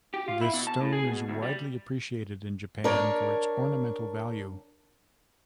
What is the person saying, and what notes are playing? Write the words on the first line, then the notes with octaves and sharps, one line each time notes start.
This stone is widely appreciated in Japan for its ornamental value.
G4
F4
E4
B2
A5
A2
G#4
B2
D2
G3
D4 A#4 C#5